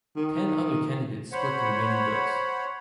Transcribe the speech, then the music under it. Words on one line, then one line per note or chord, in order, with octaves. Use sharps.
Ten other candidates split the remaining votes.
D#3
C5 C#5 F#5 B5